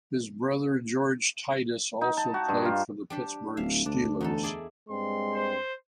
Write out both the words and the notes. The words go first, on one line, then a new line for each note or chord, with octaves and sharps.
His brother George Titus also played for the Pittsburgh Steelers.
D#4
A5
F#4
G2
F4
G3 D4 G4
D1 E5 F5
D2 D4
E2 D#4 A4
E4 G#4 D5
G2 G#3 C4 C6
C5